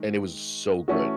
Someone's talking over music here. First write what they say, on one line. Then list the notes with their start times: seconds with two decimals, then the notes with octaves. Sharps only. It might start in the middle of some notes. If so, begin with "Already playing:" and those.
and it was so good.
Already playing: D#3 G#3
0.88 E3 A3 C#4 F#4